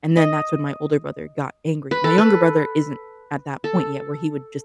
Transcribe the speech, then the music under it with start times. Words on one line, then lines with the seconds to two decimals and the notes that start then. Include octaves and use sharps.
And then that's when my older brother got angry. My younger brother isn't at that point yet where he would just
0.17 D#5
1.91 B4
2.04 A4
2.18 B4
3.64 A4